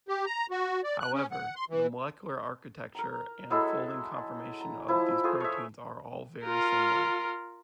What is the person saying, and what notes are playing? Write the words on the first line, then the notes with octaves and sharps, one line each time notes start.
However, the molecular architecture and folding conformation of these proteins are all very similar.
G4
A#5
F#4
D5
F#6
C#4
F#5
C6
E3
A#4 A#5
F#3 G#3 E4 A4
A#5
F3 E4
A3 F4 G#4
C#5 E5
F4 A#4